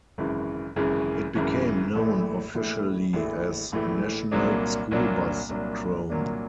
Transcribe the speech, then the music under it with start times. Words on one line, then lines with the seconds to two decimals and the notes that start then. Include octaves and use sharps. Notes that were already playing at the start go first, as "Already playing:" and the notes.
It became known officially as "National School Bus Chrome".
0.18 G#1 F#2 C#3 E3
0.76 G#1 F#2 C#3 E3
1.35 G#1 F#2 C#3 E3
1.95 A#1 A2 E3 A3
2.55 A#1 A2 E3 A3
3.13 A#1 A2 E3 A3
3.72 A#1 A2 E3 A3
4.31 C2 A#2 F#3 A#3 D4
4.91 C2 A#2 F#3 A#3 D4
5.49 C2 A#2 F#3 A#3 D4
6.09 C2 A#2 F#3 A#3 D4